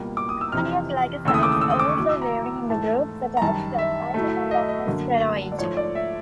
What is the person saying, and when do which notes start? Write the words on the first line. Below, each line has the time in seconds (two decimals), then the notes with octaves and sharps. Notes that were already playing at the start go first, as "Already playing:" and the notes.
Cardiac glycosides also vary in the groups attached at either end of the steroid.
Already playing: C#2 B2 G3 A#3
0.17 D6
0.29 D#6
0.41 E6
0.52 F2 C3 E3 F6
1.25 D#2 C#3 E3 A3 E6
1.34 D#6
1.43 D6
1.52 D#6
1.61 E6
1.70 D#6
1.79 D6
1.89 C#6
1.97 A2 F#3 A3 D6
2.09 E6
2.22 A#5
2.70 G#2 E3 A3 A5
3.37 A#5
3.42 F#2 D#3 G3 A5
3.78 E5
4.14 A2 F#3 A3
4.51 D#5
4.69 D#5
4.86 F#2 D3 F#3 A#3
5.52 D5
5.59 G#2 F3 A3 C#5
5.77 D5
5.95 E5